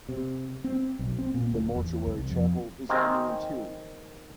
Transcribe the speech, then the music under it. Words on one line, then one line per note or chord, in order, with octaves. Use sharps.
The mortuary chapel is on the interior.
C3
C4
B1
C4
A#2
D1
E2
C2
F2
D#3 G#3 A#3 C4